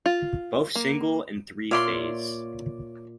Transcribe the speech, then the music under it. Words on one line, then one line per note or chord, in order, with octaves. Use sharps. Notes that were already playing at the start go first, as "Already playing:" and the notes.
Both single and three phase.
F4
A#3
A#2 C#5 D5 E5 F5 C6